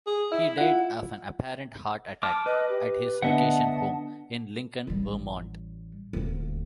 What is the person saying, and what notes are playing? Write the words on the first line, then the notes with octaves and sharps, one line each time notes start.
He died of an apparent heart attack at his vacation home in Lincoln, Vermont.
G#4
E4 E5
F4 F#5
A5 D6 F6
B4 D#5
G4
D3 B3 D4 D#5 E5 F#5 A5
A1 G3
D#1 D2